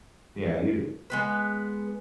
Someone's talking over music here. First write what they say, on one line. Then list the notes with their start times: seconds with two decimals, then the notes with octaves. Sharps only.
Yeah, you d
1.10 G#3 B3 B4